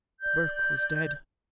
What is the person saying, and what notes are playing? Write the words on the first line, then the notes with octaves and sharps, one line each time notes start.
Burke was dead!
D5 G6